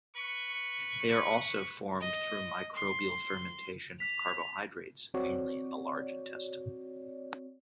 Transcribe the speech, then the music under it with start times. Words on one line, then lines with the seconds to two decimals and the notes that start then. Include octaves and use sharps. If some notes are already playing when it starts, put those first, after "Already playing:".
They are also formed through microbial fermentation of carbohydrates mainly in the large intestine.
0.16 B4 C#6
2.01 D#5
2.75 C6
4.00 B6 F7
5.14 C4 F#4 C#5 D5